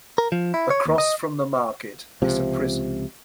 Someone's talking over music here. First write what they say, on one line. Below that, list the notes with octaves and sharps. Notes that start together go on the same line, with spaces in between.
Across from the market is a prison.
A#4
F3
E4
C#5
D#2
D#5
C#2 C3 F3